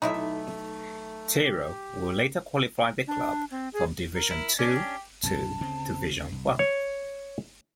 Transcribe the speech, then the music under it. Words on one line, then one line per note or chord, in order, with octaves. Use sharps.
Tiero will later qualify the club from division two to division one.
B1 A3 D#4 E4 E5
G4
D4
C4
G#4
A#4
E4
C#4 D4 D5
G4
B1 F#2 C3 A5
D2 C#3 C4
C2
C#5